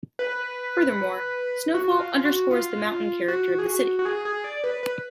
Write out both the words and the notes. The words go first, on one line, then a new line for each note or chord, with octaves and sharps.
Furthermore, snowfall underscores the mountain character of the city.
B4
F#4
F4
F#4
F4
F#4
G#4
F#4
F#4
G#4
G#4
D5
B4
B4